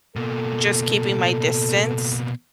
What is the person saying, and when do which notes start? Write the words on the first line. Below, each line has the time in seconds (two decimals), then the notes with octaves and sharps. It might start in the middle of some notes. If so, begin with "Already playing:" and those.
just keeping my distance.
0.16 B2 A#3 A4